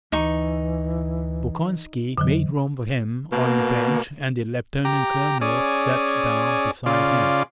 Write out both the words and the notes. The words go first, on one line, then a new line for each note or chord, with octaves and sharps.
Bolkonski made room for him on the bench and the lieutenant colonel sat down beside him.
D2 E3 D#4 C#6
F2 D3 E3 F#3
B2 A#3
G4 A#5
C#4 G#4 D5
C#3 F4 D5